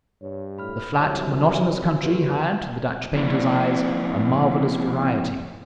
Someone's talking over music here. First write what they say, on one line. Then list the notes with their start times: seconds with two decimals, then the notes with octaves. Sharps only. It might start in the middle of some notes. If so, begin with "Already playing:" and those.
The flat, monotonous country had, to the Dutch painter's eyes, a marvelous variety.
0.22 G2 C#5
0.58 A2 B5 F6
1.00 C2 F#3 C#5 E5
2.03 F2 A2 F#4 G4 B4
3.16 F3 A#3 C4 E4 D5